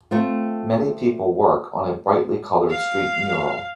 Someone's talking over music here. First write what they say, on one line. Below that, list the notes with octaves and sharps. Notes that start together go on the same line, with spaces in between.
Many people work on a brightlycolored street mural.
A3 C4 F4
F5